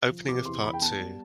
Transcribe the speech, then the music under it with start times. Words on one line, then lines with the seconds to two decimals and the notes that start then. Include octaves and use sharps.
Opening of Part Two.
0.10 F3
0.29 C3 D6
0.45 E2 C6
0.63 E2 B5
0.74 G5
0.81 B3 A5
0.99 G3